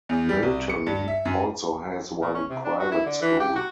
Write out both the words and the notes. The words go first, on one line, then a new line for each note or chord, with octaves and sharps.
Milton also has one private school.
E2
G3
C2
C#7
G2
E5
F#2
A#2
C#4
C3
D4
F#4
E4
D3
E3
G4
F#4